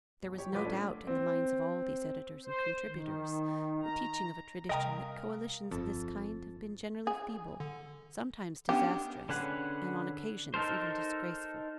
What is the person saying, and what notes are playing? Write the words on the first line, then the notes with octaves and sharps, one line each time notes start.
There was no doubt, in the minds of all these editors and contributors, the teaching of a tradition that coalitions of this kind have been generally feeble, sometimes disastrous, and on occasions even disgraceful.
E1
G4 C#5
A2 F#3 F4 B4 D6 B6
A3 C#4 D4
C4
C5
D#3
A#5
C3 G3 A#4 D#5 F5 G5 A#5 D#6
G1 F2 A5
G#4
D3
B3 C#4 D4 G4
D3 C#4 G#4 B4 F#5
D#4 A4 A#4 C5